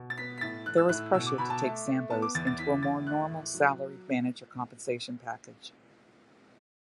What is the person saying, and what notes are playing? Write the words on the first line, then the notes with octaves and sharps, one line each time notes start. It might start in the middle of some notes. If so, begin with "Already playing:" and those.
There was pressure to take Sambo's into a more normal salaried manager compensation package.
Already playing: B2
A6
B3 B6
B6
A2 A6
E3 F#6
E6
A2 F#6
B2 E6
D6
B2 B5
A5
A3
A3
B3 A5
D6
E2 A6
A6
E3 B6
E2 A6
A3 F#6
A2
F#3